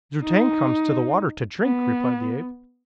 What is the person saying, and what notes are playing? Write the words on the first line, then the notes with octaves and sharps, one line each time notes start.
"Zu-tag comes to the water to drink," replied the ape.
D#4
B3